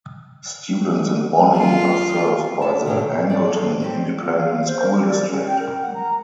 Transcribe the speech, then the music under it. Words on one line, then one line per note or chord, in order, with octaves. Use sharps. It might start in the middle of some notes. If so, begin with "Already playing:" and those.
Students in Bonney are served by the Angleton Independent School District.
F4
C#5 E5 A5
G#2 C3 D#3 F#3 D#4 G4
A#2 C#5
A4 C#5 D5
C4 D4
D#3 C4 G4
F4
F5
F5
C5
A#4
G4
D5
C#4
G5
A#4
F#5
A#5